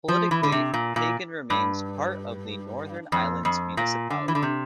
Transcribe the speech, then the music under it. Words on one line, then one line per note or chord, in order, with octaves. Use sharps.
Politically, Pagan remains part of the Northern Islands Municipality.
F3
E3
D3
C3
A#2
A#2
G2
F2
F2
A#2
D3
E3
D3
C3